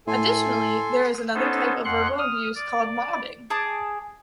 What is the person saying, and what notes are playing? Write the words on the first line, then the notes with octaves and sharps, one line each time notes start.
Additionally, there is another type of verbal abuse called mobbing.
A2 A4 G#5 C6
B3 C#4 D#4 A4 C5
F2 F#5 C6 F#6
D#6 F6
D5
G#4 A5 D6